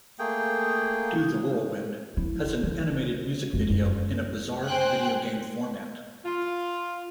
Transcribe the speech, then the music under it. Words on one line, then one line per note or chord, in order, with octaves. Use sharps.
"Do the Whirlwind" has an animated music video in a bizarre video game format.
A3 A#3 G#4 G5
E4
D#3
F2 G#3
F#2
C5 G5 G#5 F#6
F4